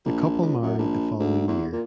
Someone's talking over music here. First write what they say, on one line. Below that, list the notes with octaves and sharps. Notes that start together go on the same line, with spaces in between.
The couple married the following year.
A#1
C#2
F#2
A#1
D2
E2
A#2